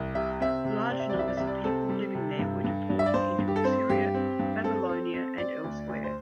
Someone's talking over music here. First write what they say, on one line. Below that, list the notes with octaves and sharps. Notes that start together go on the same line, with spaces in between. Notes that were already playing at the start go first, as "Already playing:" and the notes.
Large numbers of people living there were deported into Assyria, Babylonia and elsewhere.
Already playing: C2
C3 E5
C4 E5
C3
C4 D5
E5
D5
C2 E5
D5
C3 E5
D5
C4 A4
G3
C3
G2
G2
G2
E5
D5
G2 C5
G2
G4
A4
C4 C5
G2 G4
C4
G2
C4 A4
C4
C4
C4 D5
D2
D2
C5